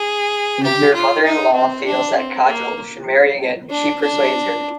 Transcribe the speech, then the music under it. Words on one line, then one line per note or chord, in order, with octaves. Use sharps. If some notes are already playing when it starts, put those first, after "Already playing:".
As her mother-in-law feels that Kajal should marry again, she persuades her.
Already playing: G#4
G4
F4
D#4
C4
D4
C4
A#3
D4
D4